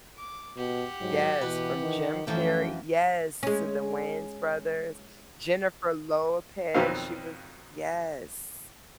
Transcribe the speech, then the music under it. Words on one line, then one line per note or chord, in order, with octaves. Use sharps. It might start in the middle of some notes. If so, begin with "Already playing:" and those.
Yes, from Jim Carrey Yes, to the Wayans brothers. Jennifer Lopez, she was Yes.
D6
B2 G4 F#5
G#2 F#3
B2 E3 B4
D#3
F#2 E3 F3 A3 C#4 G5
G#3 C#4
F2 B2 D#3 F#3 C4 F5